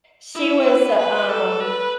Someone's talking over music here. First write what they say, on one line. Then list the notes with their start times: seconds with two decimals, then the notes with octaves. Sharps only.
she was, uh, um
0.35 E4
0.66 B4
0.98 B4
1.29 A4
1.60 B4